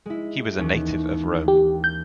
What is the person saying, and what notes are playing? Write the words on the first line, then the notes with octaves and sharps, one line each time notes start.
He was a native of Rome.
G#3 E4
D#2 E3 C#4
G4
G6